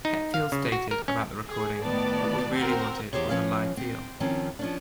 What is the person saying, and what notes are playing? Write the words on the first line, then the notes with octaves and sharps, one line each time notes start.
Hetfield stated about the recording: What we really wanted was a live feel.
D#4
F5
C#3
F#4
A#4
C#4
G#4
A2 D#3 B3 D5 A5
C4 F#4 A#4
E2 G4 G#4 C5 C#5
F3 C#4 B4 C#5 F5
C4
D#3 F3 C4 C#4
F3 C#4 D4